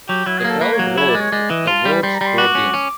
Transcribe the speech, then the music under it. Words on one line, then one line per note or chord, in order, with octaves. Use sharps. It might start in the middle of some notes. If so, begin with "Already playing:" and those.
The crowd roared, the vote's poured in.
F#3 G4
F#3 E4
G#4
A#3
A4
A#3 B4
C#5
F#3
E4 C#5
D5
G#3
C#5
G#3 D5
E3 D#5
F4 A5
G3 B5
G3 C6
A#5
G3
C6
F#4 D6
C#4
C#4